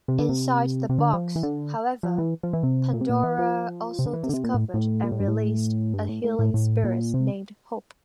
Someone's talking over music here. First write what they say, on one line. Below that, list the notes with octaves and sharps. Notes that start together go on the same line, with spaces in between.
Inside the box, however, Pandora also discovered and released a healing spirit named Hope.
C3
D3
C3
C3
D3
F3
E3
D3
F3
E3
F3
E3
C3
A#2
C3
A#2
E3
F3
C3
D3
E3
C3
D3
C3
A#2
A2
A2
A#2
A2
G2
A2
G2
A2
A2
A2
A2
A#2
C3